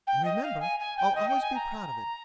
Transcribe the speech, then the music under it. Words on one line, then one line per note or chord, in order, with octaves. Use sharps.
And remember, I'll always be proud of it.
G5
D#5
F5
G#5
G#5
G5
D#5
G5
G#5
A#5